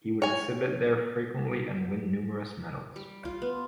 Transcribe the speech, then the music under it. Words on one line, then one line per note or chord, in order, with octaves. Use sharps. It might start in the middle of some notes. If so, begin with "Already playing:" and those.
He would exhibit there frequently and win numerous medals.
C#5 G#5
G3
F4
B3